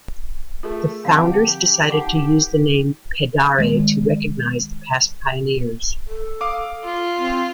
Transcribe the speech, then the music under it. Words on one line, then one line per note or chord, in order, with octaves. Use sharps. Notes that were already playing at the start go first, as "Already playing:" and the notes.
The founders decided to use the name "Pedare" to recoginise the past pioneers.
A3 F4 G#4 A#4
D3 F3 C4 G4 F5 F#5 A5
D#4 F#5 D6
D#3 G#3
A4
F5 D6 D#6
F4
C4